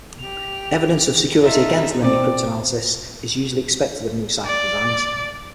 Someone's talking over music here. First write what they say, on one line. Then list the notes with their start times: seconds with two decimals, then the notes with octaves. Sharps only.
Evidence of security against linear cryptanalysis is usually expected of new cipher designs.
0.19 G4 F7
1.42 D#4 F4 A4 E5
2.02 B2 C4 D5
4.46 D5